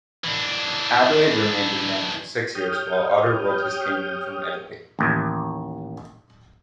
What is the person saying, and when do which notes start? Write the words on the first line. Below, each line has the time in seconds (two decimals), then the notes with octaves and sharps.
Adelaide remained in Rome for six years while Otto ruled his kingdom from Italy.
0.24 E3 D4
2.55 G4 C#5 G5 D#6 F6 G6
4.99 A1 D#2